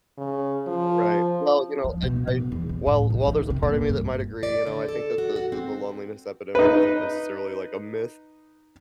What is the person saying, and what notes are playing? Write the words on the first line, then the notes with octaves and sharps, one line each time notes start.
Right. Well, you know, I I while while there's a part of me that might agree, you know, I think that the the the loneliness epidemic isn't necessarily, like, a myth.
C#3
F3
F3
B2
B2
E2
D#3
A2
C2
D#3
C3
A#2
G2
D5
D3
A4
F#4
F#4
C4
D#4 B4